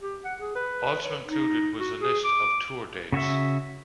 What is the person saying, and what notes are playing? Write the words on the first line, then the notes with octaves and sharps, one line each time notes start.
Also included was a list of tour dates.
G4
F#5
G#4
B4
C#5
D#4
F#4
G#4
D6
C#3 F#4 C#5 E5